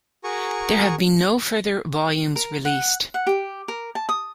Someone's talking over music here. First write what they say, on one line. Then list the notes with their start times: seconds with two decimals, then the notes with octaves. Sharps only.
There have been no further volumes released.
0.24 F#4 G#4 A#4 G#5 A#5 C#6
2.36 A#4
2.65 F#5
3.14 F#5
3.27 G4
3.68 A#4
3.95 A5
4.09 D#6